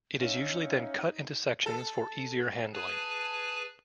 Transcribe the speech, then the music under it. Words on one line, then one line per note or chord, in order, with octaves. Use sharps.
It is usually then cut into sections for easier handling.
C#4 D#4 E5 F5
A4
G#4 B4 G#5 A5